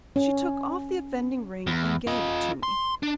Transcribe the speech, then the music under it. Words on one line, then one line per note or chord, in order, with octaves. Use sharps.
She took off the offending ring and gave it to me.
C#4
E2
F4 D#5
C6
D4